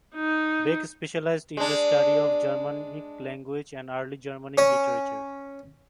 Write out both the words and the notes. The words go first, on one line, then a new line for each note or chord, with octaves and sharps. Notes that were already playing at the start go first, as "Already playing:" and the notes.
Beck specialized in the study of Germanic languages and early Germanic literature.
D#4
G#3 D4
C#4 C#5